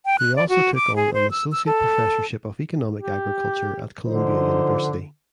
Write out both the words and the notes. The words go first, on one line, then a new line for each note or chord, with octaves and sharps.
He also took on an associate professorship of economic agriculture at Columbia University.
G5
F#6
D5
F#4
D6
G#4
C5
E6
E6
A4
G4
D3 F3 D#4 C5